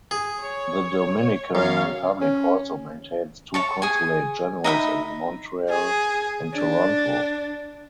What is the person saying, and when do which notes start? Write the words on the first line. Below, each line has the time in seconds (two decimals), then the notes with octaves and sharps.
The Dominican Republic also maintains two consulate generals in Montreal and Toronto.
0.11 G#4
0.41 C#5
1.55 F#2 C#5 F5
2.21 C#4
3.54 C#5 A5 C#6
3.82 G#4 G#5
4.64 D#4 E5 F#5 B5
5.69 G#4
6.54 D4